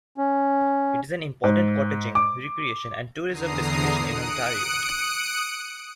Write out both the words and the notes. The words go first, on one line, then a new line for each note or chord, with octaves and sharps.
It is an important cottaging, recreation and tourism destination in Ontario.
C#4
G#2
D6
E2 D3 A#5 D#6 C7
D#6 F#6 C#7 D7